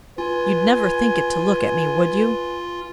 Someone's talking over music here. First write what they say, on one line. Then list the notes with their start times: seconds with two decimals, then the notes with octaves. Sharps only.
You'd never think it to look at me, would you?
0.18 F4 B4 G#5